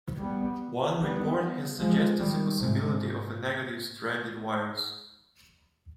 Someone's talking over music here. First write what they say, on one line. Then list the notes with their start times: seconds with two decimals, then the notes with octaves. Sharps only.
One report has suggested the possibility of a negative stranded virus.
0.20 G3 B3
1.00 G3 B3
1.79 F3 G#3
2.18 D#3 G3
2.59 G#2 C3